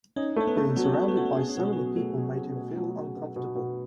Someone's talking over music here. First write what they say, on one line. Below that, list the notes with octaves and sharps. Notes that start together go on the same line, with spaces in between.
Being surounded by so many people made him feel uncomfortable.
C#4 D#4
A3 C#4
B3
A3
F#3 B3
C#4
B3
F#3 C#4
B3
C#4 F#4
B3
C#4
B3 G#4
C#4
B2 B3
C#4
F#3 B3
B2 A3
F#3
G#4
B2
F#3
F#3
B2
B2
B2